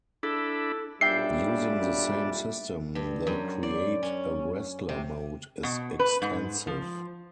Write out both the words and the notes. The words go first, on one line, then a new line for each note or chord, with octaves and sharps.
Using the same system, the Create-a-Wrestler mode is extensive.
D4 E4 A4 B5
B1 A#2 G3 D4 E5 G5 C7
G2
F#2
D5
C#4
C3
B2
B4
G#2
F3